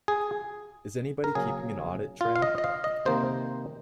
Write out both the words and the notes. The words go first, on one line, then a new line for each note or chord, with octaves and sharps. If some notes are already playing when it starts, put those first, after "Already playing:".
Is anybody keeping an audit trail?
G#4
A#4
C#3 F#3 A#3 G#4
F4
F5
D#5
D#5
F5
D#5
C3 D#3 A#3 C5